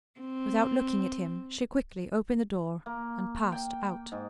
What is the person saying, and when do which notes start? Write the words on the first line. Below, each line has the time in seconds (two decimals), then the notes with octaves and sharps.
Without looking at him she quickly opened the door and passed out.
0.20 C4
2.86 A#3
3.52 G5
4.12 G#2